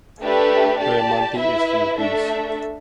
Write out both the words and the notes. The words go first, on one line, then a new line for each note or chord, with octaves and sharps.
Diamanti is from Greece.
A3 D4 G4 B4 E5
G4 D5 A5
E4 B4 E5
A3 D4 A4 E5